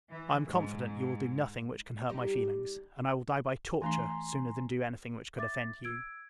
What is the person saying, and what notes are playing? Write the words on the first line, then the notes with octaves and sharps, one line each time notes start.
I am confident, you will do nothing which can hurt my feelings; and I will die by torture, sooner than do any thing which could offend you.
E3
G#2
G3 D#4 G4
E3 A3 D4 G#5 A#5 C6
E5 D6 A6
E6 G#6 D7